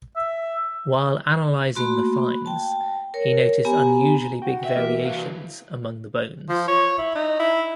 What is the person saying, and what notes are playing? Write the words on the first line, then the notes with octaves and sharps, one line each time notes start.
While analyzing the finds, he noticed unusually big variations among the bones.
E5
A3 A#3 F#4 B5 C6
G5 A5
A#4 C#5
B3 G4 G#5 A#5
F#4 F#5 G5
E5
E3 A#3 G4 A#4
C3 E3 F#4 B4 F5
F3
C#5
E4
D#4
E4